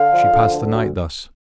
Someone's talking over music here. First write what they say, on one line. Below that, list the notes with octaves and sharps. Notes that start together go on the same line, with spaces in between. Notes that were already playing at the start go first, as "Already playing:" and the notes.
She passed the night thus.
Already playing: D3 F5
F3
D3
D2
D2